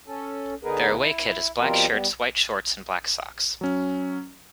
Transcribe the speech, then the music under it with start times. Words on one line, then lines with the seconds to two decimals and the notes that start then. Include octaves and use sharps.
Their away kit is black shirts, white shorts and black socks.
0.07 C#4 A4
0.64 D3 B3 D#4 G#4 A#4 B4
0.95 E4
1.60 B2 F3 G3 C4 F4 A#4
1.89 G3 B3
3.61 F#3 C#4